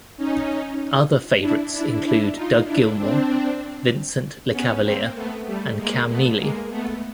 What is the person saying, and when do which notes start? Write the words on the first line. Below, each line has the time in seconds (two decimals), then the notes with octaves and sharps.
Other favourites include Doug Gilmour, Vincent Lecavalier, and Cam Neely.
0.17 C#4 D#4
1.41 D4 E4
1.72 D4 E4
2.03 D4 E4
2.34 D#4 F4
2.65 D4 E4
2.97 C4 D4
4.52 B3 C#4
4.83 A#3 C4
5.14 A3 B3
5.47 G3 A3
5.77 G#3 A#3
6.08 A3 B3
6.39 G#3 A#3
6.71 A3 B3